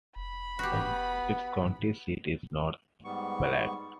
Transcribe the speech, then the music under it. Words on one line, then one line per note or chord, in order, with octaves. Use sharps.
Its county seat is North Platte.
F1 B5
B3 F#4 G4
G#2 G3 B3 C#6